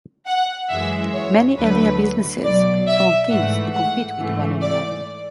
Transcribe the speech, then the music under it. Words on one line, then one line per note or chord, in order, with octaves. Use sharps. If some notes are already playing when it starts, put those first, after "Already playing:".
Many area businesses formed teams to compete with one and another.
F#5
F#2 E3 G#3 E5
C#5
D2 D3 F#3 A3 B4
B1 B2 F#3 D5
E5
G#2 E3 A3 F#5
F#5
G#2 E3 A3
D5